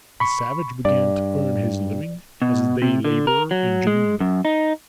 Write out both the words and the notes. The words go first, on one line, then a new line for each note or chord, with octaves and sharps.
The savage began to earn his living as a day laborer in Geneva.
B5 C#6
G2 D5
B2
C3
D3
A#4
F#3
G#3
F#2
D#4